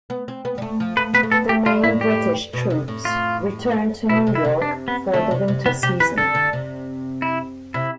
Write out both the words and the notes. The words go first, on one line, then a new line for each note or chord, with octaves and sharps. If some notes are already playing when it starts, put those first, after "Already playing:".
The main British troops returned to New York for the winter season.
B3
C4
B3
G3
A3
F3
A3 B4
B3 B4
A3
B3 A4
G4
G3 F4
A2 E4
G4
B2
C3
A2
F4
B2 E4
C3
E4
C3
D4
B3
D3 A3
C3
C3
C3 B3
C3 G4
E3 B4
D3 A4
D3
C3
E4
C3 E4